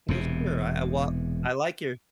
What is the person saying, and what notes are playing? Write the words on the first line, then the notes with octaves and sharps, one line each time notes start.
No, sure. I I well, I like your
E1 E2 C3